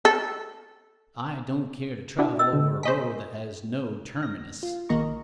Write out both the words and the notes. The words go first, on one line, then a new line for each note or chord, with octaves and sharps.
I don't care to travel over a road that has no terminus.
A4
D4 E4 F#4
C#4 D#5 E6
D3
C5 D#5 G#5 C#6 B6
A#6
F4
A#1 D#3 A#3 D#5 A#5 C#6